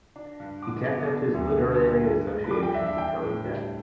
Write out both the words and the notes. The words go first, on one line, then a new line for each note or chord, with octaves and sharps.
He kept up his literary associations until his death.
D4
G2
D3 D6
B3
D4
D2
D3
G3
G2
G2
B5
G3 D6
G5
D4 E5
E5
D4 G5
A2
G3